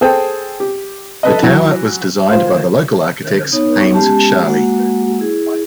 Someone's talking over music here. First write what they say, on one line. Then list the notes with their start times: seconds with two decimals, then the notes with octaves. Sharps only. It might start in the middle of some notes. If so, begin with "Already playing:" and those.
The tower was designed by the local architects Hames Sharley.
0.01 G#4 A4 C5 G5
0.60 G4
1.23 A4 B4 D#5
1.42 E3 F#3
2.30 F4 C5
3.52 B3 D#4 C#5
3.94 G#3 B3 C#4 G4 A5
4.42 G#3 A#3 F#4 F#5
5.19 E4 G#4